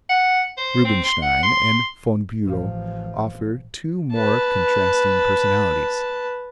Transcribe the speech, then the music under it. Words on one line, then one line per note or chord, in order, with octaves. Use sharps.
Rubinstein and Von Buelow offer two more contrasting personalities.
F#5
C5
C4
C6
F#5
C6
A1 F3
B4 A5